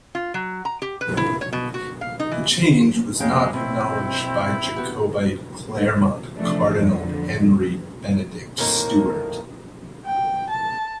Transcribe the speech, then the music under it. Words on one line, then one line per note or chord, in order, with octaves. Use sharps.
The change was not acknowledged by Jacobite claimant Cardinal Henry Benedict Stuart.
F4
F#3
A#5
G4
B4
E4
C#5
B2
F#4
F5
D#4
E3
F2 G#3 C#4 F5 G5
B2 C4 E4
B3 F#4 G4
C3 E3 F3 A3 C#4 D4
F2 D3
F2 A2 D#3 A#3
G5
A5